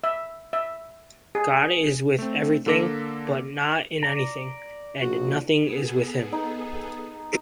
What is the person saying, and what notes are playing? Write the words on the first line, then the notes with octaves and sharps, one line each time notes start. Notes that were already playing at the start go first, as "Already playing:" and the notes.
God is with everything, but not in anything, and nothing is with Him.
E5
E5
G#4
A3 C4
D3 A#3 A4 D6 A#6 B6
D5 A#5
A#1 F#4
B3 G#4 A4
D#4